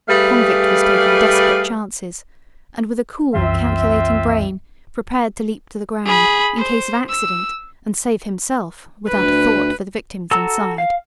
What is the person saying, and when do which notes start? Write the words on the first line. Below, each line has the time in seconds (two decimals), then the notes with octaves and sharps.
The convict was taking desperate chances, and with a cool, calculating brain, prepared to leap to the ground in case of accident and save himself, without a thought for the victims inside.
0.09 G3 A3 G#4 B4 F5
3.34 C2 F#2 E3 C4 F4 E5
6.06 G#4 B5
6.57 C5
7.08 E6
9.07 D2 B4
10.31 F#4 A4 A5 A#5 E6
10.78 F5